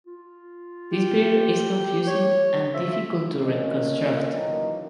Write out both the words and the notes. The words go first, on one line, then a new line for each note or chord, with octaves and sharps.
This period is confusing and difficult to reconstruct.
F4
G4
C#5
F3 E5
D3 A3 A#3 C#4 F4 D#5
F#2 D#3 E3 A#3 D#5